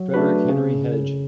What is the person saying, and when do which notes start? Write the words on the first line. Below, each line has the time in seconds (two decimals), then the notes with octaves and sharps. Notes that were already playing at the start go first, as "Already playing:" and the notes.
Frederic Henry Hedge.
Already playing: F#3
0.14 A3 D4 F#4 B4
0.49 C#3